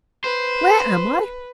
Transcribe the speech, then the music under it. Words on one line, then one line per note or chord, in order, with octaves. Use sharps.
"Where am I?"
B4 C5